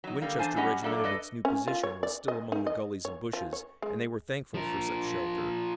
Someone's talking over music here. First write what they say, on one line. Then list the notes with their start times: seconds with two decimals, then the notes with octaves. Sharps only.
The Winchester regiment in its new position was still among the gullies and bushes, and they were thankful for such shelter.
0.04 F#3 D#4
0.21 D3 G3 A#3
0.39 E2 D4 C5 G#5 A5
0.56 F#3 G3 C#4 G4 D#5 F#5
0.82 F#3 A3 A#3 D4 A4
1.04 A4 B4 D5 D#5
1.45 C#4
1.68 F4
1.83 C#5
2.03 D5
2.28 D#5
2.52 D#4
2.67 D#5
3.05 C#5
3.33 F3
3.53 C#5
3.82 G#3
4.54 F3 A#4